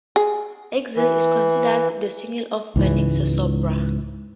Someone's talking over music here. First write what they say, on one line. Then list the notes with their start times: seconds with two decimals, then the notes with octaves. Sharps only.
"Exiled" is considered the single of "Burning Sosobra".
0.16 G#4
0.96 E3
2.76 C#2 G#2 E3